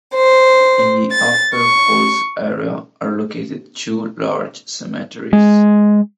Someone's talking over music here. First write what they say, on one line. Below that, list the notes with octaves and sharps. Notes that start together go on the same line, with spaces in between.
In the Upper Falls area are located two large cemeteries.
C5
A6
C#6
G#3